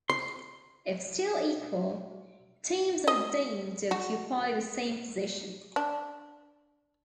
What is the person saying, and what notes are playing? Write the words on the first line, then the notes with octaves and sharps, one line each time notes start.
If still equal, teams are deemed to occupy the same position.
C6
D#5
F#4
D4